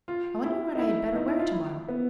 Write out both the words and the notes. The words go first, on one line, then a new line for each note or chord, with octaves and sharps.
I wonder what I had better wear tomorrow.
F4
E4
D#4
E4
D#4
E4
F4
E4
B3